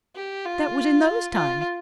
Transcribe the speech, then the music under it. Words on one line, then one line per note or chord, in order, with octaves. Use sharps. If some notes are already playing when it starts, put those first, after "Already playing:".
That was in those times.
G4
F4
F4